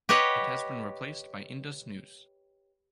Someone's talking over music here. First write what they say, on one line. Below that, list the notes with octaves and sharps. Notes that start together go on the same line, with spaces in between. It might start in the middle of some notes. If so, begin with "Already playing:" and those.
It has been replaced by Indus News.
G4 B4 C#5 D#5 F#5